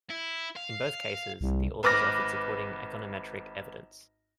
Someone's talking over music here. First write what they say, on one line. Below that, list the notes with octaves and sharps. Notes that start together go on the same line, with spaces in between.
In both cases, the authors offered supporting econometric evidence.
E4
F5
C2
G#1 B4 D6 F6 A#6